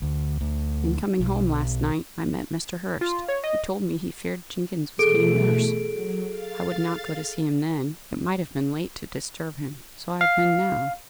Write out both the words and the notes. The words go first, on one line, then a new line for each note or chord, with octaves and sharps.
"In coming home last night, I met Mr. Hurst, who told me he feared Jenkins was getting worse. I would not go to see him then; it might have been late to disturb him, so I have been now."
D2
D2
B1
F4
C#5
D#5
B2 E3 A3 G#4 A4 D7
F#3
F5 A6
F5